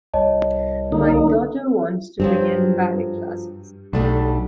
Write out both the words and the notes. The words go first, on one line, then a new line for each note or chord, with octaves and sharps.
My daughter wants to begin ballet classes.
C2 C#5 D#5 A5
D3 A#3 D#4
G2 F3 F#3 C4
B1 G3 A3 D4